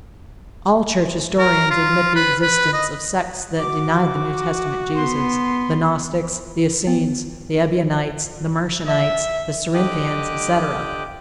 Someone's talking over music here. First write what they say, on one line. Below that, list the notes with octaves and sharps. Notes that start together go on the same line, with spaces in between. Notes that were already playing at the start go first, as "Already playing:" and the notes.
All church historians admit the existence of sects that denied the New Testament Jesus--the Gnostics, the Essenes, the Ebionites, the Marcionites, the Cerinthians, etc.
A#4
F4
B4
B4
D#5
F#4 D6
B3 C6
B3
E5
D3 G4 D#5 G5 D6 F#6